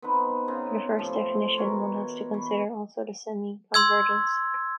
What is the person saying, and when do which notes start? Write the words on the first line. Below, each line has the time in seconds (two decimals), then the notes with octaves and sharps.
For the first definition, one has to consider also the semiconvergents.
0.02 B3 C4 D#4 B4
0.48 C#3 C4 G#4 A#4
0.99 A2 C3 F3 A3
1.58 B2 E3 A#4 C#5
2.34 E3
3.74 C6 E6 G#6